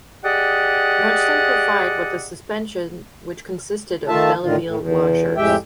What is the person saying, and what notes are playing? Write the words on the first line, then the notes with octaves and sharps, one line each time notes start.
Much simplified was the suspension which consisted of Belleville washers.
G4 G#4 D5 D#5 F#5
D#3 A3 F4 E5 A5
A2 D3 D#3 F4
A2
E2
F2 A2 G#3 G4 E5 G5